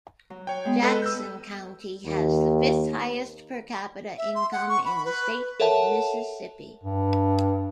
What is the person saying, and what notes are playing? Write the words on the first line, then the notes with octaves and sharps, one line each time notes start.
Jackson County has the fifth highest per capita income in the State of Mississippi.
F#3
C#5 G5
G#3 B3
A4 B4 D#5
E6 G6
D#2
E5
C6
F#5
C#6
B5
B4
A4 A#4 C#5 E5 F#5 A5
G2